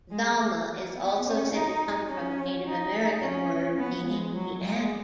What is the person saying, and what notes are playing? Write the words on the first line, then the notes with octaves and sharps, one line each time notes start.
Zalma is also said to come from a Native American word meaning the end.
G#3
B3
C#4
D#4
C#4
D#4
C#4
B3
G#3
F#3
G#3